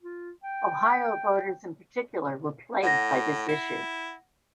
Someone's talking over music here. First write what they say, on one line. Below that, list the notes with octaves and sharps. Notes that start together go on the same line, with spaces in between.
Ohio voters, in particular, were plagued by this issue.
F4
G5
A2 F#5 A#6
E4